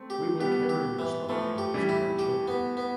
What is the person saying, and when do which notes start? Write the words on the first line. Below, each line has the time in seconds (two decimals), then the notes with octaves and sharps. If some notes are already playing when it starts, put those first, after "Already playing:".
We will carry your smoked hams to our children.
Already playing: A3 C4
0.10 G4
0.40 G3 B3 G4
0.69 G4
0.99 E3
1.29 E3 F3 A3
1.58 G4
1.74 E3 G3
1.89 E4
2.19 G4
2.48 B3
2.77 B3